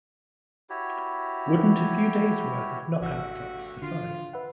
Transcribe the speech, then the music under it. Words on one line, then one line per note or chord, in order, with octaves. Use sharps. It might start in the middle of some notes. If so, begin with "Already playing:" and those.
Wouldn't a few days' worth of knockout drugs suffice?
E4 F#4 G4 C#5
G#1 D2 G2 F#4 F#5 E6
D3 F4
B4 E5 F#5